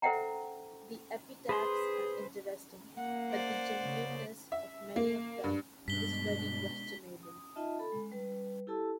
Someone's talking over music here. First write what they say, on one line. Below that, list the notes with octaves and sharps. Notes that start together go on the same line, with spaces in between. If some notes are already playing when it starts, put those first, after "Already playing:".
The epitaphs are interesting, but the genuineness of many of them is very questionable.
A4 C5 E5 F#5 G5 A#5
G#4 B4 C5 C6
A#3 F#5
C5 D5
C#3
E5
A#3
G2
G2 B2 G#3 D4 B6 G7
D#6
D#4 F4 D#5 E5 A5
A4 B5
G#3
G3 B4
E4 G4 A4 A5 E6